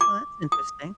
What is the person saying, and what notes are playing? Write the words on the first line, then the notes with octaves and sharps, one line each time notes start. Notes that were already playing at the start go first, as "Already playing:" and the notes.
Well, that's interesting.
D6
D#6